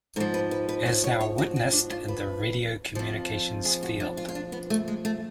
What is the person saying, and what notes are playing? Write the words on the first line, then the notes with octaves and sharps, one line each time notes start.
As now witnessed in the "radio communications" field.
G#2 F3 A4
B4
B4
B4
C#5
C#5
C#5
F#4
F#4
D4
F4
B4
F2 F3
G#4
F#4
D4
F4
F4
D4
B3
A3
G#3
A3